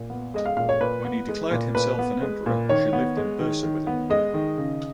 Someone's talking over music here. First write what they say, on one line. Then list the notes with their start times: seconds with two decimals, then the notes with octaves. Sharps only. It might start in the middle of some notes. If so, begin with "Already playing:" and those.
When he declared himself an emperor she lived in Bursa with him.
Already playing: A#2
0.10 B3
0.34 G#3 D#5
0.45 F5
0.57 A#2 F5
0.69 C#5
0.80 A#2 B4
1.05 B3
1.29 G#3
1.51 A#2
1.75 A#2 B4
1.99 B3
2.22 G#3
2.46 A#2
2.69 D#3 C#5
2.93 B3
3.17 G#3
3.39 D#3
3.63 D#3
3.87 B3
4.10 G#3 D#5
4.34 D#3
4.57 C#3